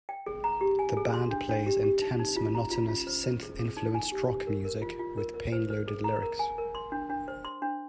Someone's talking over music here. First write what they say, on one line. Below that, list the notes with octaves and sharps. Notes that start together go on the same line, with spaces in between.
The band plays intense monotonous synth-influenced rock music with painloaded lyrics.
G5
G#4
A#5
G4
G#5
G#4
C6
D4
D4
G4
G4
D#4
D#4
F4
A#5
F4
F4
C5
C5
G#4
G#4
D#4
G#5
G4
G4
A#4
A#4
F4
F4
A#4
A#4
C5
C5
G#4
A#5
A#4
G#5
A#4
C6
D4
D4
C5
C6
D4